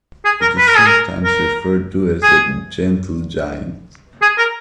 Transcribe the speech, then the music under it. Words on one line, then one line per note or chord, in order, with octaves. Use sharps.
It is sometimes referred to as the "Gentle Giant".
G#4
A#4
B4
A#4
G#4
A#4
A#4
G#4
G#4
A#4